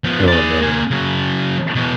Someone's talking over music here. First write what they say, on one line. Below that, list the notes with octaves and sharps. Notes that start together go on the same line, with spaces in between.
Oh, no.
F3 B3
G#4 D5
A#3 G#5
C#3 F#3
B2 E3